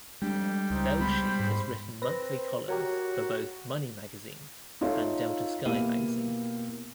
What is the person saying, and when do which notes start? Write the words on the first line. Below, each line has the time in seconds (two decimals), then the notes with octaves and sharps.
Velshi has written monthly columns for both "Money Magazine" and "Delta Sky" magazine.
0.22 F2 G3 G#3 D4
0.70 C#2 C4 D#4
1.01 G#3 B3 C5 B5
1.39 G#2
2.02 C4 B4 A#6
2.68 F#4 G4 A#4 C#5
4.81 D#4 F4 A4 C#5 E5 F5
5.65 B2 A#3 E4 G4 F5 D#7